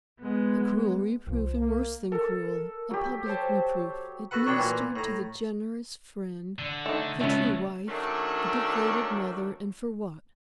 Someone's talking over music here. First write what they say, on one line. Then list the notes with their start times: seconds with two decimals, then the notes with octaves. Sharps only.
A cruel reproof, and worse than cruel, a public reproof, administered to the generous friend, the true wife, the devoted mother--and for what?
0.19 G#3 B3
1.27 C2 F3
1.58 A#3
2.12 A4 A#4
2.91 F#3 G4
3.26 C5 C#5 A5
4.31 F#4 A4 B4 F#5
4.46 B2 F#3 D4 G5
4.58 A#2 E3
4.96 A2 A#5
6.59 D3
6.86 A3 D#4
7.21 C#2 F#3 A3 B3 C#4
7.88 D#3 F#3 A3 C#4 D4